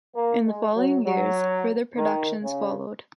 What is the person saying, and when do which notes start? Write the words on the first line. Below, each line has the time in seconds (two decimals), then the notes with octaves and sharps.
In the following years, further productions followed.
0.16 A#3
0.47 G#3
0.76 F#3
1.06 F#3
1.97 D#3
2.43 C#3